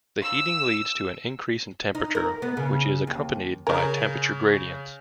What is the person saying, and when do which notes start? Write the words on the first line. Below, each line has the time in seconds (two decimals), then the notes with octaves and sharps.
The heating leads to an increase in temperature, which is accompanied by temperature gradients.
0.21 E6
1.95 D#4
2.15 A#4
2.42 B3
2.57 C#3
3.07 D#2
3.67 C#3 A#4 G#5